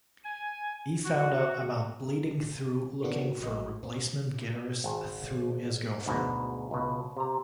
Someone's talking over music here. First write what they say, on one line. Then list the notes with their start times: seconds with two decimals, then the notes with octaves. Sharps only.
He found out about Bleeding Through looking for a replacement guitarist through his girlfriend.
0.24 G#5
1.05 F#4
3.02 D3 D#3 A#3 B3 D4 F#4
3.39 A1 F#3 D#5
3.83 C4
4.84 G#1
6.06 D2 G#2 B2
6.71 C#2 B2
7.17 C3 A#5